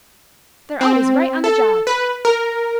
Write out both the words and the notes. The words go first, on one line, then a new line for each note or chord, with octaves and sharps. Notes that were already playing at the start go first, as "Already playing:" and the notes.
They're always right on the job.
C4
A4
B4
A#4